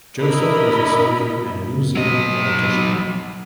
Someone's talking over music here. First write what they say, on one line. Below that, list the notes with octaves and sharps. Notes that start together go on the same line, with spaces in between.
Joseph was a soldier and New Zealand politician.
D4 E4 A#4 D#5 B5
F#3 D#5